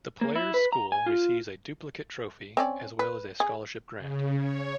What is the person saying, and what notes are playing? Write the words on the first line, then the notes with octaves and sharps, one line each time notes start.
The player's school receives a duplicate trophy, as well as a scholarship grant.
A#3
E4
B4
A#5
G#5
F4
C4 C#4 D5
B4
G#4
C#3
C#5